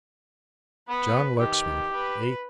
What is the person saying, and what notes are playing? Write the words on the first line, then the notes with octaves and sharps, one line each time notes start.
John Lexman--A.
B3 B4
D#3 G4
B4